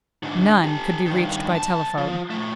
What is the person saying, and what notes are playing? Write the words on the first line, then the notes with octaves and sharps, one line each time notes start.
None could be reached by telephone.
G#2 D3
G4 A4
G2 D#3
B1 A5
F3
A#2 A3